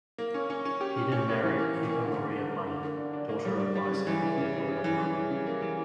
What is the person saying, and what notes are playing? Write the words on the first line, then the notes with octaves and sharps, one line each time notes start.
Eden married Eva Maria Money, daughter of Vice-Admiral Rowland Money.
A#3
C#4
C#4
C#4
G4
C#4
C#4
A#3
E3
A#3
E3
A#3
D3
A#3
D3
A#3
D3
A#3
D4
D4
A#3
G3
D4
G3
C#3
E3
C#3
C#3
C#3
C#3
E3
E3
C#3
C#3
A#3
E3